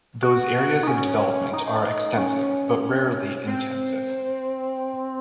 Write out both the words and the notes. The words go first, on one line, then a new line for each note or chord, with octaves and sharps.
Those areas of development are extensive but rarely intensive.
F#4
D#4
C#4
D#4
C#4
C4